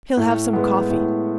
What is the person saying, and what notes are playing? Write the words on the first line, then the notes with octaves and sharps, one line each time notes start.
He'll have some coffee.
A2
G#3 B3
A2